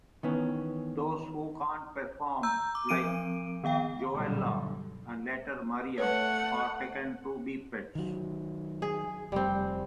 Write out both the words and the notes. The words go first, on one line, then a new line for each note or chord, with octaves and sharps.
Those who can't perform, like Joella, and later Mariam, are taken to be pets.
D#3 E3 B3 C#4
A#5 E6 G6
D6
F3 C4 D7 D#7
D#3 B3 F5 G5
B1 G2 A#2 D3 F#3 G3
A3 B4 C#5 F#5
D#3 F#3
G#4
F1 G3 C4